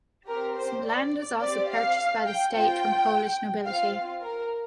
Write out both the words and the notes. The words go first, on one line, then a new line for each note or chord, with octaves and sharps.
Some land was also purchased by the state from Polish nobility.
C4 G4 A#4
C5
D5
C4 G4 D5
F5
G5
C4 F4 G5
C4 F4 F5
A#4